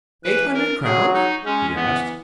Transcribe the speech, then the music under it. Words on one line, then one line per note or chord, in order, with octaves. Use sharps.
"Eight hundred crowns?" he asked.
E3 B4
A#4
F#3 G#4
D#4
G#3 C#4
E3 B3